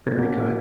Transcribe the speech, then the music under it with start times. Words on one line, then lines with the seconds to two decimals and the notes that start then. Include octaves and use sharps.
Very good.
0.18 B2 A#3 C#4